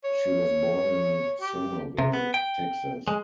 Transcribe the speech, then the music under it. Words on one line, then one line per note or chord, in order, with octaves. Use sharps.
She was born in Somerville, Texas.
C#5
G4
C3
B3
G5
G#3